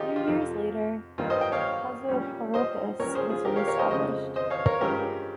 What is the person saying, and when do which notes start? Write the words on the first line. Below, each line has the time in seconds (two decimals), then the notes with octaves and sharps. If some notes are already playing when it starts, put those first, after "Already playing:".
Few years later, Pezoporikos was re-established.
Already playing: D#4 F4 G4 G#4
0.16 F4
0.27 F2 C3 F3
1.18 G2 G3 A#3 D#4 F4
1.30 C5 D#5
1.41 D#5 G5
1.52 C#5 F5
2.09 A#2 G3 C#4
2.54 C5 D#5
3.00 A#2 G3 C#4 A#4 C#5
3.15 G#4 C5
3.30 F4 G#4
3.45 G4 A#4
3.56 C#5 F5
3.68 A#4 C#5
3.79 C5 D#5
3.91 F2 C#3 G#3 C5 D#5
4.36 C5 D#5
4.50 C#5 F5
4.66 A#4 C#5
4.81 G2 F3 G#3 C#4 G4 A#4